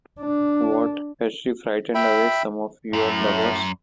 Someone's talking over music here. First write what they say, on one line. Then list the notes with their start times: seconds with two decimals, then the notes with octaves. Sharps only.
What, has she frightened away some of your lovers?
0.20 D4
1.95 E5 G5 B5
2.93 F#2 A2